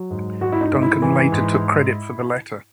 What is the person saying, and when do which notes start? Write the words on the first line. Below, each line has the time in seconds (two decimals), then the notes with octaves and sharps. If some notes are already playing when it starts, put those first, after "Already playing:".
Duncan later took credit for the letter.
Already playing: F#3
0.11 G#2
0.41 G#2 F#4
0.52 E4
0.61 D#4
0.72 G#2
0.82 E4
1.02 E3
1.32 G#2